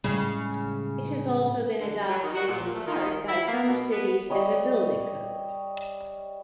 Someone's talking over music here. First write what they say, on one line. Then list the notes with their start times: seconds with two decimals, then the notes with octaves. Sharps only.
It has also been adopted in part by some cities as a building code.
0.04 A2 C#3 G3 G#3
1.80 D3
2.09 F#3
2.23 D#3
2.34 F#4
2.48 A#2
2.74 A3
2.86 D#3
3.28 E4
3.47 A#3
3.68 B2
3.92 B3
4.30 G3 C#5 D#5